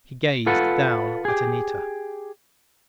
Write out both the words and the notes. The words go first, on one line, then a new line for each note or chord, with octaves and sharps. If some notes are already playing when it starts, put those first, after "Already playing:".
He gazed down at Anita.
F4 A4 B4 F#5
G4 G#4